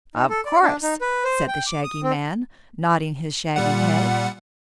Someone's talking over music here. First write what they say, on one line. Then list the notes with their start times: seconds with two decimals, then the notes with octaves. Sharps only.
"Of course," said the Shaggy Man, nodding his shaggy head.
0.15 D#4
0.30 A4
0.45 D5
0.63 D4
0.83 D#4
1.01 B4
1.24 C5
1.48 G5
1.66 D6
1.84 D#6
2.03 C4
3.56 A#2 G3 F#5